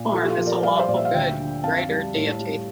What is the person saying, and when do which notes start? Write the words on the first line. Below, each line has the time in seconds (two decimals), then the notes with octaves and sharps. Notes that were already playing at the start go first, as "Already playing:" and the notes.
Torm is a Lawful Good greater deity.
Already playing: A#2
0.12 F3 F4 A4
0.24 G4
0.29 F4 A4
0.38 F3
0.46 A#4 D5
0.63 G3 D5 F5
0.79 C5
0.88 A#2 D5
0.97 E5
1.05 F5
1.14 D2 E5 G5
1.39 D3
1.64 F2 F5 A5
1.89 G3
2.14 A2
2.39 G3